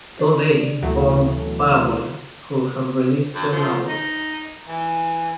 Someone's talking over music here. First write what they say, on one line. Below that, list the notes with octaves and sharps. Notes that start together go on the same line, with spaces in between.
Tod A formed Firewater, who have released seven albums.
D4
D2 B2 E3 F#3 A3
F#2
F3
D#4
E3